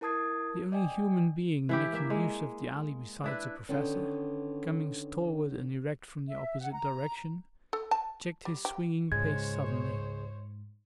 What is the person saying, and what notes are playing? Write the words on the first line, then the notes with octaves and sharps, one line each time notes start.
The only human being making use of the alley besides the Professor, coming stalwart and erect from the opposite direction, checked his swinging pace suddenly.
E4 A#4 A5 D#6 G#6 C7
D5 D#5 G5 G#5
E3 E4 G4
A#3 E5
G#3
D4 E4 B4
D3 D#3 B3 C#4
E5
F#5
A#5
A4
A5
G3
G4
C#2 G#2 G#3 C5 C#5 G#6